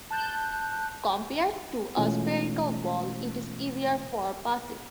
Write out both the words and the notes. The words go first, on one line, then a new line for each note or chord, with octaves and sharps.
Compared to a spherical ball, it is easier for passing.
A5 F#6 G6
B2 E3 G#3 A3 C#4 F4